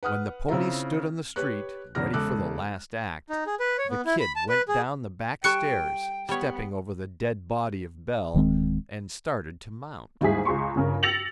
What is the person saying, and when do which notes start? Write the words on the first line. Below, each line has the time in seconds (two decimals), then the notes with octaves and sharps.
When the pony stood on the street, ready for the last act, the "Kid" went down the back stairs, stepping over the dead body of Bell, and started to mount.
0.03 B4 F#5 D#6 F6
0.48 C#3 C4 E4 F4 A#5
1.36 G4 B4 C#5 F#6
1.95 E2 C#3 D5 F6 A#6
2.13 E1 C#3 G#3 A4 D6 F#6
3.30 D#4
3.47 G#4
3.60 B4
3.78 C#5
3.90 B3
4.06 E4
4.20 B5
4.36 A5
4.49 B4
4.68 G#4
5.44 G3 A4 G5 C#6 F#6 C#7
6.29 G3 B3 C#5
8.34 D1 D#3 G#3 C4
10.21 D#2 G#2 G3 E4 G#4 B6
10.45 C#2 G#4 C6 C#6
10.76 G1 C#3 C#4 A#4
11.03 E6 A6 A#6 C#7 F7 F#7